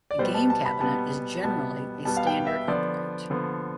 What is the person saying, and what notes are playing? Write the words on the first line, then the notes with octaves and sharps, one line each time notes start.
The game cabinet is generally a standard upright.
D5
B2 G3 B3 C5
A5
A5
B5
B2 G3 B3 A5
B2 G3 B3 A5
B2 G3 B3 A5
F5
G5
E5
D3 F3 B3 D5
D3 F3 B3